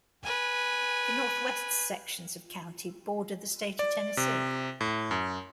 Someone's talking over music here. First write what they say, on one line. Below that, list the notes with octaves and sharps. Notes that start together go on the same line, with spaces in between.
The northwest sections of county border the State of Tennessee.
B4 G#5
D5
C3
A2
F#2